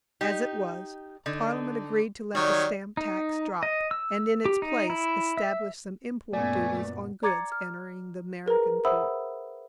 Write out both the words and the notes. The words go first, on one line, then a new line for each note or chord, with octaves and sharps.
As it was, Parliament agreed to let the stamp-tax drop, and in its place established some import duties on goods entering the American ports.
D#4 G4
D3 D#4
D#3 F#3 G3 C#5
D#4
D#5
E6
G4
D#4
E4
E5
F#2 A#2 A3 B3 D5 G#5
D5 A#5 D6 G#6 A6 C#7
F6
G#4 A#4 B4 A#5
C5 E5 F#5 B5 D#6 E6